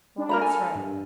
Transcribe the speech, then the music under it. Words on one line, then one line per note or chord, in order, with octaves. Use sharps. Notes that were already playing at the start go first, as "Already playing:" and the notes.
Well, that's right.
D4
A#4 A#5 B5
A4 G#5
G2